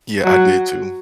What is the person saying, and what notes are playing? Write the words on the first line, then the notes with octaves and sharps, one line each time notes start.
Yeah, I did too.
F#3